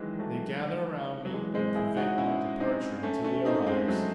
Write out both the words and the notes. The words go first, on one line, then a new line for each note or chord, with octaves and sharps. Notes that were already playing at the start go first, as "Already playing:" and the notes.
They gather around me and prevent my departure until he arrives.
Already playing: D#3 E3 F#3 G#3
F#3 A3
F#3
E3 G#3
G#3 C4
E4 G#4
D#4 F#4
C#4 E4
C4 D#4
A3 C#4
A3 C#4
C4 D#4
G#3 C4
F#3 A3